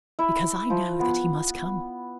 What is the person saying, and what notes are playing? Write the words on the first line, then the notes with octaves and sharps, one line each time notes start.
"Because I know that he must come."
E4
F3
B3